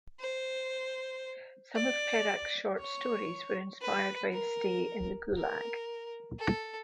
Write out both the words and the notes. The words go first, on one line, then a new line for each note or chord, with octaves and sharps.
Some of Perakh's short stories were inspired by his stay in the gulag.
C5
D5
C#5
B4
A#4
A#4
A4